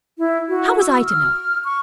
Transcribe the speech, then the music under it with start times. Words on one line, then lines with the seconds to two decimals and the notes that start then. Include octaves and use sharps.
How was I to know?
0.18 E4
0.49 F#4
0.79 E6
1.05 F6
1.64 C#6